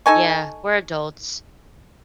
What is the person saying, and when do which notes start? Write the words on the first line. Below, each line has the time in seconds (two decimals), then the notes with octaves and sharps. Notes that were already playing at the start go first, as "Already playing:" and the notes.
Yeah, we're adults.
0.06 D#4 A4 G#5 C#6